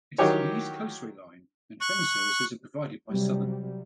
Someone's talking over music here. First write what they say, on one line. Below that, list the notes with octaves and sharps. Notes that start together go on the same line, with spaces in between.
It is on the East Coastway Line, and train services are provided by Southern.
D#3 E3 F#3 D#4 G4 C#5
C#6 F#6
C3 F#3 G3